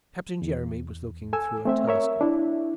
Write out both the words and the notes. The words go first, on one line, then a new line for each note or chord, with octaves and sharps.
Captain Jeremy was looking through a telescope.
E2
A4 G#5 E6
A3 C4 E5
A#4 C#5 E5
D4 E4